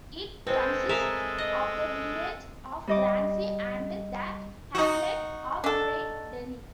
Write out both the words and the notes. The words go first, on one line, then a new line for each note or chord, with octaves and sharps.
It consists of the village of Grancy and the hamlet of Saint-Denis.
G#3 C4 A4 B4 C5
G#4 A#4 E5 F5
D#5
G3 D#5 D6
D#4 F#4
D4 A4